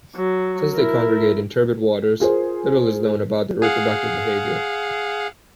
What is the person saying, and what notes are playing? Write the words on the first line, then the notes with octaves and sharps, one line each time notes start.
Since they congregate in turbid waters, little is known about their reproductive behavior.
F#3
E4 A#4
F4 G#4 A#4 C5
G#4 F5 F#5